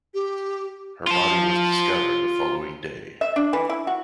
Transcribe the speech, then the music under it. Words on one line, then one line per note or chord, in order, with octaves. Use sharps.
Her body was discovered the following day.
G4
F4 A5
E5
D4
E3
E4
F#4